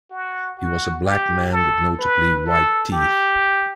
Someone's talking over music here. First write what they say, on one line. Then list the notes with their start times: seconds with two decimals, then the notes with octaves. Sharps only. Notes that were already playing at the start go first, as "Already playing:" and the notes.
He was a black man with notably white teeth.
0.11 F#4
0.58 F#4
1.05 G4
1.52 A4
1.99 B4
2.46 A4
2.92 G4